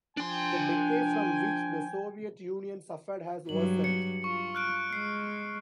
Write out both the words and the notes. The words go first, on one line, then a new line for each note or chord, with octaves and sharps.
The decay from which the Soviet Union suffered has worsened.
F3 D4 G5 G#5 C6
G2 F#3 F#7
C#7
F4 C#6
F6 F#6 D7
G#3 C7